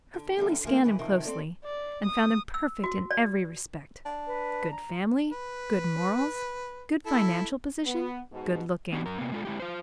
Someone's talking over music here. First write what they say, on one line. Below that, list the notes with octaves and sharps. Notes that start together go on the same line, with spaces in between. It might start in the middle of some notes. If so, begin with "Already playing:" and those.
Her family scanned him closely, and found him perfect in every respect--good family, good morals, good financial position, good looking.
D3
E2 D3 G3 B3
E3 F3 A3 A#3
D#3 E3 B4
C3 D#3 F3
C4 A4 D5
D5
D#6
E6
F#4
D5
D4
B4
A#5
B4
E4 A4
B3
G#2 B2
B3 D4 D#4 F#4 G4
F#2 A#4
C3 A#3 B3
G#3 F4 A4
G#3 E4 G4
F4 C5